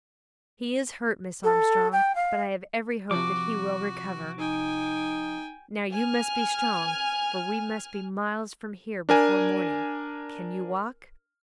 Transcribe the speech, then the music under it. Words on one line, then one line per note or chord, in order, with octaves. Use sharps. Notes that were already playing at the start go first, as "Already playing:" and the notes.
"He is hurt, Miss Armstrong, but I have every hope that he will recover. Now you must be strong, for we must be miles from here before morning. Can you walk?"
A4
G5
F5
C3 F3 F#4 D6
D#4 G5 G#5
G#5 F6
D4 A#4 G#5